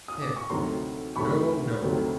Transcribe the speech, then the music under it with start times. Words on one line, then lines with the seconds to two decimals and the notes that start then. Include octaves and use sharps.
HIM: No, no.
0.08 D#6
0.22 D6
0.36 C#6
0.50 D2 C3 D#3 F#3 A3 A#5 C6
1.16 D2 C3 D#3 F#3 A3 B5 C#6
1.82 D2 C3 D#3 F#3 A3